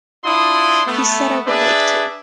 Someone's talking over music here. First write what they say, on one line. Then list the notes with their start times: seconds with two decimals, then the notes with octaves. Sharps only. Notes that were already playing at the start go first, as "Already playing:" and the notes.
He said I would like to.
0.25 D4 E4 F4 C6 D#6
0.87 A3 B3
1.47 D4 G#4 B4 D5 E5